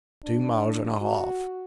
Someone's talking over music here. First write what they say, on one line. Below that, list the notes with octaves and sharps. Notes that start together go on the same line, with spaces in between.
"Two miles and a half."
D4
F#4